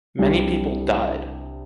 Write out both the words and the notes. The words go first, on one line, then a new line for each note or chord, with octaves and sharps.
Many people died.
C2 C3 G3 D4